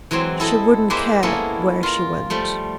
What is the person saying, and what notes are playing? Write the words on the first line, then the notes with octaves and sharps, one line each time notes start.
She wouldn't care where she went.
E3 F#3 G#3 C4
E4 A4 D#5
G#3 A#3 G4 B4 C5 E5
G#3 A#3 B3 C#4 E4 A4
F4 A#4
F3 G3 A3